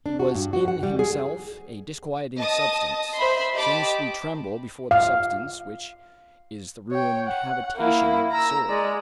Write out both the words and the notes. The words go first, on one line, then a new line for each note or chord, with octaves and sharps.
He was in himself a disquieting substance, since we tremble before the substance which is the ruined habitation of the soul.
D4
F#4
G2
F#4
F#5
G3
G#4
D#5 A5 D#6
C5 E5 B5 C6
G4 D#5 A5 B5 D6
F5
C#5 G5
F#5
A#3 E4
A#5 E6
G#3 D5